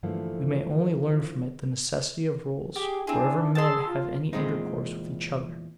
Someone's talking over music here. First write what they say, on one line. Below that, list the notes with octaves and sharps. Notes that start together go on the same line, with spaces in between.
We may only learn from it the necessity of rules, wherever men have any intercourse with each other.
G2 D3 E3 F3 A3 A#3
G4 G#4
C4 D4 E4 G#4
G#4 A5 C6 D#6 E6
F4
E2 A#2 D3 G#3 C4 D#4